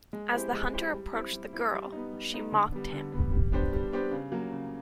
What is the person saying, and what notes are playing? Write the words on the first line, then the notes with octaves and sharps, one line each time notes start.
As the hunter approached the girl, she mocked him.
G#3
C4 E4 G4 C5
G#3
C4 E4 G4 C5
G3
C4 E4
G3
C4 E4
G3
B3 D#4
G3
B3 D#4
D3
G3 B3
D3
G3 B3
G3
B3 D4 G4 C5
G3
B3 D4 G4 C5
C#3
F#3 A#3
C#3